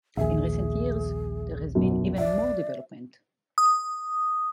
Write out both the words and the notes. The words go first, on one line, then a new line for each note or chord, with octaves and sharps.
In recent years there has been even more development.
A#1 D#2 G#4 E5 G#5
F#2 B2
D5 E5
D#6